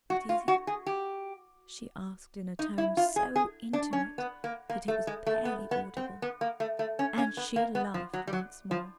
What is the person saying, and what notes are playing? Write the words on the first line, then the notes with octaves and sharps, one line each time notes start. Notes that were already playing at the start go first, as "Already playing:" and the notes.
"But is it?" she asked in a tone so intimate that it was barely audible. And she laughed once more.
F#4
F4
F#4
G#4
G4
D#4
E4
F4
G#4
G#4
D4
C#4
B3
A#3
A#3
A3
G#3
A3
B3
B3
C4
B3
A#3
A3
A3
C#4
C#4
B3
A#3
B3
F3
F#3
G3
F#3
F3